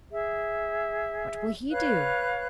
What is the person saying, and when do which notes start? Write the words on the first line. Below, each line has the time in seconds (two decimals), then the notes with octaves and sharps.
"What will he do?"
0.11 G#4 E5
1.70 B4 C#5 F5 F#6